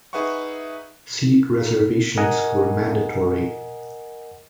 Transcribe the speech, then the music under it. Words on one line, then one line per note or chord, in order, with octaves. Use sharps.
Seat reservations were mandatory.
D#4 G#4 B4 E5 F#5 C#6
A#4 D#5 F#5 G#5